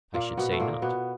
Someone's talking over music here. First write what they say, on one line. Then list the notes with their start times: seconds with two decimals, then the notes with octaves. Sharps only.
I should say not.
0.14 A#2 A#3
0.37 B2 B3
0.52 A3
0.60 A#2 A#3
0.82 B2 B3